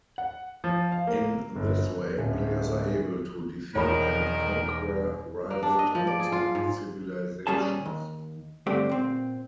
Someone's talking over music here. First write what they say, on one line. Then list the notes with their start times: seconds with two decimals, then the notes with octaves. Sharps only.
In this way, players are able to defeat and conquer rival towns and civilizations.
0.18 F#5
0.64 F3
0.92 F5
1.07 A#3
1.56 G1
2.18 D1 C#4
3.75 E1 D#3 A#4 C#5 B5
5.50 A#3
5.63 D4
5.79 D#5
5.95 F3
6.07 D5
6.20 G#4
6.32 F4
6.55 G#2
7.47 B1 A#2 G3 C#4 G#4 A5
7.86 D#2
8.67 G2 D3 A3 C4 G4
8.89 A#2 C4